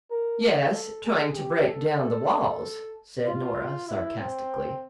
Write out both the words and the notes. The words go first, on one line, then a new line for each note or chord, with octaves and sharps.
"Yes, trying to break down the walls," said Nora, sarcastically.
A#4
A4
G#4
G4
A4
A4
F4
E4
C4